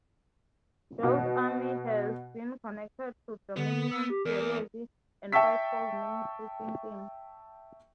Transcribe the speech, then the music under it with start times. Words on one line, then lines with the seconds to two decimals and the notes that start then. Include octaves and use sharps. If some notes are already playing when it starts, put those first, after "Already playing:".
Joel's Army has been connected to Dominion Theology and Fivefold ministry thinking.
1.03 B2
3.56 D3 B3
3.91 E6
4.10 G4
4.25 E2 A#4
5.32 E5 G5 A5 C#6 E6 B6